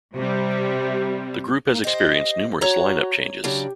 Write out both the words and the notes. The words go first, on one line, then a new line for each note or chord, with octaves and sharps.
The group has experienced numerous line-up changes.
C3 G3
A#3
G4 C5 D#5
F#4 C#5 A#5
C#3 F#3 D4 G4